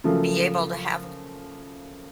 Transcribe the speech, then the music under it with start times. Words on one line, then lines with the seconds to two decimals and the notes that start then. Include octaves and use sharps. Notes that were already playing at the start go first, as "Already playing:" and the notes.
be able to have a go
0.04 C#3 F3 F#3 A3 A#3